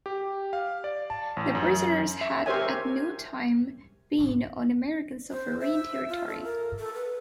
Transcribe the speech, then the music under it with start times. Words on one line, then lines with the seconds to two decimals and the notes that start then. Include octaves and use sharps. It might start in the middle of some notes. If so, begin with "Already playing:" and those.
The prisoners had at no time been on American sovereign territory.
0.06 G4
0.53 F5
0.84 D5
1.10 A5
1.37 A1
1.55 F#2
2.21 E5
2.46 G4 A#4 C5 C#5 E5 G#5
5.31 C5
5.60 E5
6.09 F4
6.28 A4
6.43 A#4
6.79 A4
6.94 B4